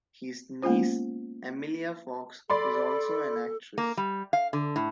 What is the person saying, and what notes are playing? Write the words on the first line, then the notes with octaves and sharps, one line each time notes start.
His niece Emilia Fox is also an actress.
G#3 A#3 B3 C#4 F4 C5
A4 D5 B5 C6
A#3
G3
F5
D3
A2